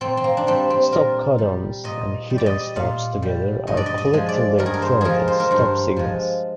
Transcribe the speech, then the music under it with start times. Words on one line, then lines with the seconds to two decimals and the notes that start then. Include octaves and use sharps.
Stop-codons and hidden stops together are collectively referred as stop-signals.
0.01 A#2 C4
0.17 C4
0.24 A#3
0.37 D4
0.47 G3 C4
0.70 C4
0.92 A#2 A#4
1.38 G3
1.84 A#2 D#5
2.30 G3
2.38 D5
2.46 D#5
2.76 A#2 F5
3.22 G3
3.67 G2 D#5
3.77 D5
3.86 D#5
3.98 D#5
4.13 F3 G#3
4.29 D5
4.59 G2 A#4
4.66 G#4
4.74 A#4
4.82 C5
5.01 F3 G#3 G#4 A#4
5.28 C5
5.40 A#4
5.51 G2 C5
5.96 F3 G#3